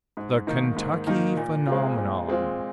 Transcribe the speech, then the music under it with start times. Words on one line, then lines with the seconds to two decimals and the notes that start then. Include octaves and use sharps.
"The Kentucky Phenomenon."
0.17 G#2
0.47 D#3 A#3 D#4
0.76 G#2
1.07 D#3 A#3 D#4
1.37 A#2
1.67 G#3 C4 F4
1.98 A#2
2.28 G#3 C4 F4